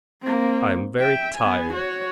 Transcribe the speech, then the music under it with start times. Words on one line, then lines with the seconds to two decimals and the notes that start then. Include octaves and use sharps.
I am very tired.'
0.22 A#3 C4
0.99 E5 G5
1.37 B3 G#5
1.73 F#4 C#5